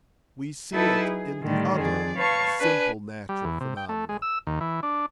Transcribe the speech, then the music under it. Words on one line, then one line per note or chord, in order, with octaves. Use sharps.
We see it in the other simple natural phenomena.
F#3 D#4 E4 A4 B4
G#4
A2 D3 D#3 G3
F2 G#4 D5
B4 C#5 F5 A5 C#6
D4 B4 G#5
G3
E2
C3
G5
A3
G#3
E6
D#2
E3
D4